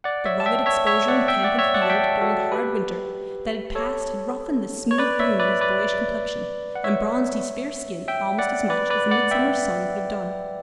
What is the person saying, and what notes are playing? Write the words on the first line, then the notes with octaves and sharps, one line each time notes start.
The rugged exposure in camp and field during the hard winter that had passed had roughened the smooth bloom of his boyish complexion and bronzed his fair skin almost as much as a midsummer's sun could have done.
D5 F#5
C#5 E5
A5
E5 G5
C#5 E5
C#5 E5
D5 F#5
E5 G5
D5 F#5
C#5 E5
D5 F#5
A5
E5 G5
F#4 A4
G4 B4
A4 C#5
C#5
B4 D5
C#5 E5
B4 D5
B4 D5
F#5
C#5 E5
E5 G5
D5 F#5
B4 D5
B4 D5
D5 F#5
E5 G5